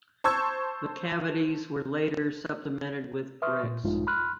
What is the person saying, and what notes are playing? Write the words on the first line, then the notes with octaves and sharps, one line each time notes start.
The cavities were later supplemented with bricks.
C5 A5 C#6 E6 G#6
B4 E5 C6 C#6 D#6 F6
A#2
A#1 G2 G#3 D#4 F4
B5 C6 F6 F#6